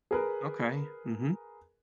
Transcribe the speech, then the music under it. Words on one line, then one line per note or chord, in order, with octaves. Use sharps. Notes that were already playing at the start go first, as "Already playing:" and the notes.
Okay. Mhm.
G#4 A#4 B4